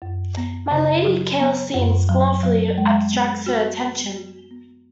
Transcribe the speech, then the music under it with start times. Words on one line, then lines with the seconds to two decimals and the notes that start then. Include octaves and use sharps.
My Lady carelessly and scornfully abstracts her attention.
0.02 F#2
0.37 B3
0.71 C#3
1.06 F#3
1.40 B3
1.74 F#2
2.09 F#3
2.43 F#3
2.78 G#3
3.13 B3
3.46 F#4
3.81 B3
4.16 F#4
4.51 B3